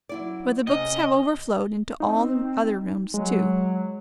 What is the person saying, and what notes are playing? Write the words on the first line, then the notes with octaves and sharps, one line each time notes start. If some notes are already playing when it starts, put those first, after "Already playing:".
But the books have overflowed into all the other rooms too.
F#3 E4 D5
C3 C#4 D#5
C4 D#4
F#3 G#3